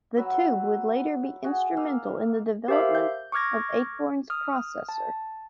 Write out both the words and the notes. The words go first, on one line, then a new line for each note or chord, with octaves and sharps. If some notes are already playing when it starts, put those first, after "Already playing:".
The Tube would later be instrumental in the development of Acorn's processor.
F#3 B4 E5 B5
F#4 G#4
A#3 F5 E6
G4 A#4 C5 E5 F5
G6
C#6 D6 F6 G#6 A#6
D#6 F6
A5